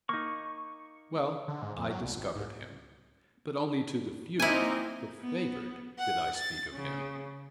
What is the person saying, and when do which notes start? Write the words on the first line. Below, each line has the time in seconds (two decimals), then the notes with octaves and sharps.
Well, I discovered him, but only to the few, the favoured, did I speak of him.
0.09 A#3 D#4 C#6
1.48 D3
1.62 G#2
1.76 F2
1.90 F#3
2.02 C2
2.16 G#1
2.35 G#2
4.40 A#3 C4 D#4 E4 G#5
5.21 B3
6.00 F#5
6.37 A6
6.74 C#3